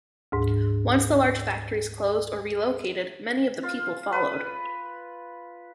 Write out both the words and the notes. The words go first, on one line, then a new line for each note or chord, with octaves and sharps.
Once the large factories closed or relocated, many of the people followed.
D2 G#2
F4
B4